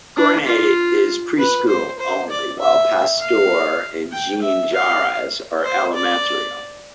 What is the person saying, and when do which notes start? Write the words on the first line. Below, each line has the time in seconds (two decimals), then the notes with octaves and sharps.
Gournay is preschool only, while Pasteur and Jean Jaures are elementary only.
0.16 D4
0.47 F4
1.39 B4
1.68 C5
1.99 C5
2.30 D5
2.60 E5
3.21 F5
4.12 G5
4.42 E5
4.73 F5
5.65 C5
5.95 D5